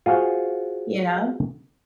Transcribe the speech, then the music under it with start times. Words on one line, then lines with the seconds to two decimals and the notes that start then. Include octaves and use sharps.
You know?
0.06 F4 F#4 G#4 C5 F5